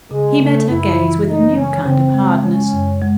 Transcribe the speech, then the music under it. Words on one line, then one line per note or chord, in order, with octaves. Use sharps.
He met her gaze with a new kind of hardness.
C#3 G#3
C#3 A3
F#2 E4
E3
G#3 D#4
C#3 C#4
C#3 C4
G#3
G#3 C#4
F#2
G#3